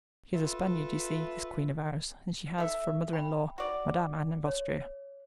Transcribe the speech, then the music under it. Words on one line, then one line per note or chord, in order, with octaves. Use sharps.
She is a Spaniard, you see,--this queen of ours; and she has, for mother-in-law, Madame Anne of Austria.
F4 A4 B4 E5
A4 E5
G5 B5
F#4 D5
C#5